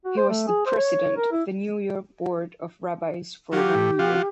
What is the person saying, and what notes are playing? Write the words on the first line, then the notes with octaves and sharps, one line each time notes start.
He was the president of the New York Board of Rabbis for one year.
F#4
C5
A3
G#4
C5
C#5
A#4
E4
F#3 F4 G4
A2
F3 F4 F#4